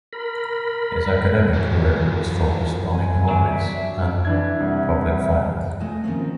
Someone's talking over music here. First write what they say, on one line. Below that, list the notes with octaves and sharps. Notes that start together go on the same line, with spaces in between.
His academic career was focused on economics and public finance.
A#4 B5
E3 F#3
G#5
F#3 D4
E5
E3 D4 E5 G#6
C2
G#3 A3 A4 D#5 G#5
D#3 F3 F#3 A#3 C4 C#4